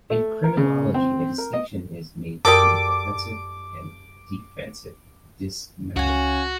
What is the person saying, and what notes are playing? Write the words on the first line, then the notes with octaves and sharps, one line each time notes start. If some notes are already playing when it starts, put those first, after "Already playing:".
In criminology, a distinction is made between offensive and defensive dismemberment.
A3
A#4
C#3
C4
A#4
D#5
F#2 G3 A4 A#4 D6 D#6
C#2 C#4 F#4 F5 G#5